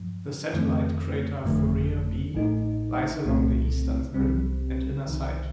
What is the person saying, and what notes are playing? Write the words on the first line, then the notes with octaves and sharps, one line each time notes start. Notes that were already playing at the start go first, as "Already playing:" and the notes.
The satellite crater Fourier B lies along the eastern rim and inner side.
Already playing: G2 F3
F2 D#3 A3 C4
G1 F2 D3 A3
A1 A2 A3 D#4
C2 A#2 A3 C4
C2 C3 G3 C4
C2 C3 D#3